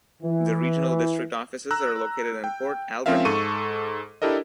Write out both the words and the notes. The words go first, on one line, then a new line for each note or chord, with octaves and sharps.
The regional district offices are located in Port Alberni.
E3
A#5 E6 F#6
G5
F3 C4 C#4 A#4 E5 F5
G#2 A4 C#6 D#7
D4 E4 G4 A4 A#4 D#5